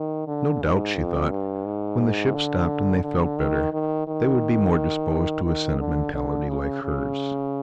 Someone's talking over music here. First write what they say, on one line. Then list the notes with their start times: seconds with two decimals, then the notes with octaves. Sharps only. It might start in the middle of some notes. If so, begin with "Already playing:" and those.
No doubt, she thought, when the ship stopped and they felt better, they would be more disposed to a sentimentality like hers.
Already playing: D#3
0.27 D3
0.62 G#2
0.96 F2
1.31 G2
1.65 G#2
2.34 D3
3.03 D3
3.38 D#3
3.72 D#3
4.07 D#3
5.44 D#3
5.79 D3
6.14 D3
6.49 C#3
6.83 C#3